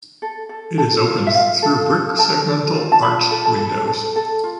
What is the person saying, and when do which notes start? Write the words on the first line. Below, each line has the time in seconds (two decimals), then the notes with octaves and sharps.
It is opened through brick segmental arched windows.
0.22 A4
0.49 A4
0.78 A4
1.06 F4
1.27 E5
1.34 F4 F5
1.62 A4
1.90 A4
2.18 A4 A5
2.47 A4
2.75 F4
2.92 A5
3.02 F4 B5
3.31 A4
3.45 A5
3.59 A4
3.87 A4
4.16 A4
4.44 F4